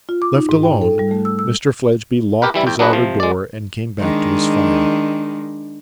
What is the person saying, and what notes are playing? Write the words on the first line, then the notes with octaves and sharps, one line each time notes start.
Left alone, Mr Fledgeby locked his outer door, and came back to his fire.
F4
D6
D#4
G#2
G5
A4
G3
A3
E6
E6
G4 A#4 B4
E3 G3 E4
E2 G5
F#3 D4 G#4 B4 D#5
C3 F3
G#3 D5
D#3 G#3 D4